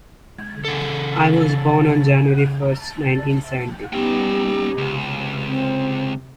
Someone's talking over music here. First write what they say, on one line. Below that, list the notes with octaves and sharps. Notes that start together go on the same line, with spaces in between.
I was born on January first, nineteen seventy.
C#3 A4
G3 B3 C#4 D#4 G4 G5
C#2 C3
C4